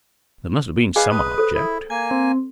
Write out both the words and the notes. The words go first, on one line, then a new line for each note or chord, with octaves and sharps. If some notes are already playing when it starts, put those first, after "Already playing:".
There must have been some object.
G#4 B4 D#5 F5 G#5
B4 D#6
A4 C5
E4
A#3 G#5 G#6
C4